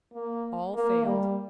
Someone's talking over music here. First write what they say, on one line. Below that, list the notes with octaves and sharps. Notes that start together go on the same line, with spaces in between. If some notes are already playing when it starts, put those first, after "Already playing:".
All failed.
A#3
A#3
G3